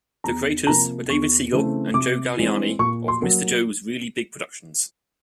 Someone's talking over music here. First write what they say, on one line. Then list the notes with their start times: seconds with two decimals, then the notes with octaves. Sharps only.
The creators were David Siegel and Joe Galliani of Mr. Joe's Really Big Productions.
0.24 E2 A#5
0.67 C3 F3 A#3 A#5
1.09 E2 C#6
1.52 C#3 E3 A3 C4
1.94 C3 D6
2.37 E3 G#3 C4
2.79 A#2 C#6
3.08 C6
3.22 F#3 A#3